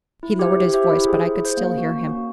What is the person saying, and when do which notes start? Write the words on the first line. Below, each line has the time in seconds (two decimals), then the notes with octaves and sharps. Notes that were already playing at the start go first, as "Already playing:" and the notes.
He lowered his voice; but I could still hear him.
0.23 E4
0.39 G4 C5 E5
0.56 E4
0.74 G4 C5 E5
0.90 E4
1.06 G#4 C5
1.24 E4
1.40 G#4 C5
1.57 A#3
1.73 C#4 F#4
1.91 A#3
2.07 C#4 F#4